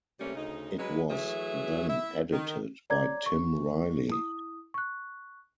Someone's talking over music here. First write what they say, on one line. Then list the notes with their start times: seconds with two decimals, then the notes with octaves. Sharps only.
It was then edited by Tim Riley.
0.20 C3 G3 A3 A#3 C#4
0.35 D2 C#3 D#4
0.79 F#3 G#3 B4
1.10 E3 F#3 A3 G#4 E5
1.88 E4 E5
2.32 D#3
2.90 C#5 D5 A#5 D6 G#6
3.26 C#6
4.10 E4 D#6
4.74 C#6 F#6